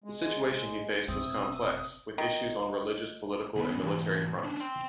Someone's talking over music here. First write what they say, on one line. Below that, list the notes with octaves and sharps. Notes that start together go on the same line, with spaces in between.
The situation he faced was complex, with issues on religious, political and military fronts.
G#3
F1 B2 C4 E5 D#6
D#3
D#2 B3
G#2 E3
C#4 D4
G5 C6